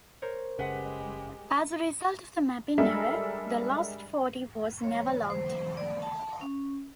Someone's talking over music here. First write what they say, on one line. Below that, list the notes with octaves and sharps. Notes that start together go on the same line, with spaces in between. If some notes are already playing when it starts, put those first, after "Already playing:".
As a result of the mapping error, the Lost Forty was never logged.
A#4 C5 C#5
F#1 C#3 G#3 G4 B4 F#5
G3 G#3 D4 A4 A#4 E5
C#5
C5
D5
A5
C#4